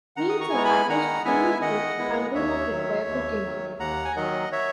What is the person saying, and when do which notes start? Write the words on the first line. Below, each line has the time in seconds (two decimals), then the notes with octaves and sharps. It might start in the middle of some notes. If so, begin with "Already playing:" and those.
Meals are packaged fully cooked and do not require cooking.
0.16 D#3 F#5 A#5
0.29 D#6
0.41 A#5 C#6
0.50 G#5
0.53 G#3 B3 E4 A#5
0.65 G#5 B5
0.89 D#3 F#5 A#5
1.25 G#3 B3 E4 E5 G#5
1.62 D#3 D#5 F#5
1.98 G#3 B3 E4
2.34 D#2 C#5 E5
2.71 D#3 F#3
3.07 D#2
3.44 D#3 F#3
3.79 D#2 F#5 A#5
4.05 G#5
4.16 D#3 F#3 D#5 F#5
4.52 C#5 E5